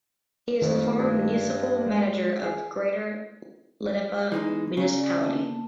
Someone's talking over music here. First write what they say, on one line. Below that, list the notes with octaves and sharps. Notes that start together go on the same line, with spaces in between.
He is the former municipal manager of Greater Letaba Municipality.
F2 D#3 A3 F4
G2
G#3
G#4
E3 G#3 D#4
B3
C#3 F5 A#5
D5
A#3 B3 A5